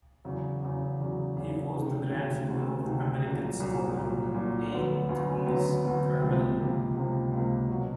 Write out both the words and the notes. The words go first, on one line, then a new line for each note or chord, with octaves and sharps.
He was the grandfather of American scholar A. Thomas Kraabel.
E2 C#3 F#3
E2 C#3 F#3
E2 C#3 F#3
E2 C#3 F#3
D2 C3 D#3
D2 C3 D#3
D2 C3 D#3
D2 C3 D#3
C2 A#2 F#3
C2 A#2 F#3
C2 A#2 F#3
C2 A#2 F#3
D2 D3 F#3 B3
D2 D3 F#3 B3
D2 D3 F#3 B3
D2 D3 F#3 B3
C#2 C3 F3 A#3
C#2 C3 F3 A#3
C#2 C3 F3 A#3
C#2 C3 F3 A#3
B2 F#3